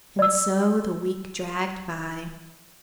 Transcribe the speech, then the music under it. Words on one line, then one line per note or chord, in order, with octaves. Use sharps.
And so the week dragged by....
D5 E6